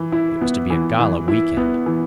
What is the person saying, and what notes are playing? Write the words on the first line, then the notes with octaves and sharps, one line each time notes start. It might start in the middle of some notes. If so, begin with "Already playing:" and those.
It was to be a gala weekend.
Already playing: E3
E4
B3
E3
E3
E4
B3
E3